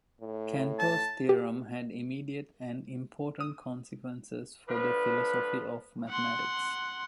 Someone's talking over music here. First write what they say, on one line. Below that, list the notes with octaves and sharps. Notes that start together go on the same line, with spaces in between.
Cantor's theorem had immediate and important consequences for the philosophy of mathematics.
A2
A5
G4
D#6
D3 F3 B4
F#5 C6